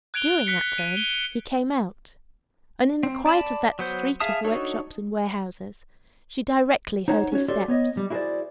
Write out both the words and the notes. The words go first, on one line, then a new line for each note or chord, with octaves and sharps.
During that turn he came out, and in the quiet of that street of workshops and warehouses, she directly heard his steps.
F#6 G#6 D7 F7 G7
F#6 B6 C#7
D#7
G7
C4
D5 A5 B5
F#3 B3 C5
G#4 E5 F5 A5 D#6
D4 D#4 F#4 A4 C#5
D#4 C5 C#5 F#5
C#4 F#4 C#5
F#4 G4 A4 C#5 D5 C6
B3 C#5 D#5
G3
E4 F#4 G#4 A#4 C5 D5